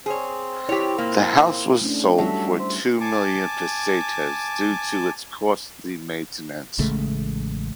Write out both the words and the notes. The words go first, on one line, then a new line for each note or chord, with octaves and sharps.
The house was sold for two million pesetas due to its costly maintenance.
C4 G#4 C#5
E4 G4 C#5
A#2 A#3
A3 C#4 D4
F#3 G3 A4 E5
C5
G#5 A5 D6
A1 C#3 G#3 A3